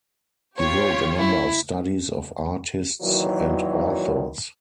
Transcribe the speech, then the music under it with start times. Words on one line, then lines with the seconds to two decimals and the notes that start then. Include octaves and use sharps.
He wrote a number of studies of artists and authors.
0.59 F4 G4 C#5
1.19 E4
3.02 A#2 D#3 E3 F#3